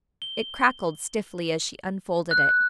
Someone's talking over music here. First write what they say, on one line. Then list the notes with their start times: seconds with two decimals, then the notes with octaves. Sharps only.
It crackled stiffly as she unfolded it.
0.22 G7
2.31 F#6